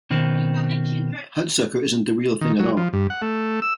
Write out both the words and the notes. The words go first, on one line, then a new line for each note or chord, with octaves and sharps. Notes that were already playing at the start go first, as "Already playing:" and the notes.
"Hudsucker" isn't the real thing at all.
B2 D#3 C4
D#3
F#3
F3
G2
F#5
A3
E6